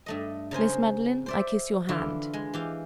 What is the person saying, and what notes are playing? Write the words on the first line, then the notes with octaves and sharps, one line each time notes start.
Miss Madeline, I kiss your hand.'
G2 A3 D#5
C#3 A#4 C5 G#5
C5 D5 E5
D3 E3 D4 E4 F4
G#3
E3 G4 F5